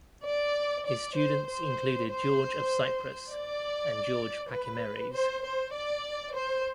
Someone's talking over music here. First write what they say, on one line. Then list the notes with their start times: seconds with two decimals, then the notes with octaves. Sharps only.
His students included George of Cyprus and George Pachymeres.
0.25 D5
0.85 D5
1.16 C5
1.47 C5
2.08 C5
3.30 D5
4.51 B4
5.13 C5
5.43 C5
5.73 D5
6.34 C5